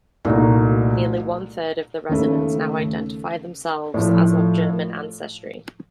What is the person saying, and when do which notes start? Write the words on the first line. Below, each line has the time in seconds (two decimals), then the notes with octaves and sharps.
Nearly one-third of the residents now identify themselves as of German ancestry.
0.25 C2 A#2 A3 D#4 F#4
2.09 D#2 C#3 A3
3.94 A2 F3 A3